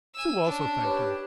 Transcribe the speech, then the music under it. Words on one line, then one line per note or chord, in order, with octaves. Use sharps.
Sue also thanked him.
G#5 E6
C#4 D4
G4 B4 C#5